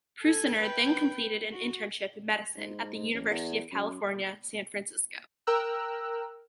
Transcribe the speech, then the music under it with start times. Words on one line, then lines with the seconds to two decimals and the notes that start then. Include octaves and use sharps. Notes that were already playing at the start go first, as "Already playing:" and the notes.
Prusiner then completed an internship in medicine at the University of California, San Francisco.
0.22 A4 G#5
0.60 B4 G5
1.51 F#4
2.57 G#2
2.94 G#2
3.13 A1
3.30 E2
3.72 F#2
5.47 A#4 G5 A#5 E6 F#6